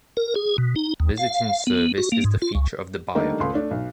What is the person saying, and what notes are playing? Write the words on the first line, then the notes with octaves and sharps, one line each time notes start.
Visiting service is the feature of the buyer.
A#4
G#4
B2
D#4
D#2
F5
B3
F#4
A#3
G#2
F4
C#2
D3 D#3 G3 A3 A#3 D#4
C#2 A3 C6
A3 D4
B1